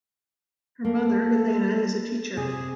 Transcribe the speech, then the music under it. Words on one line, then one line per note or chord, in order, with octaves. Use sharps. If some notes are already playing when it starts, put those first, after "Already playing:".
Her mother, Elena is a teacher.
A#3 A4
C3 G#4